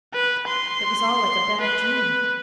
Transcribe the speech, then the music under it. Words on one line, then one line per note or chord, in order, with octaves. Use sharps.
It was all like a bad dream.
B4
C6
B4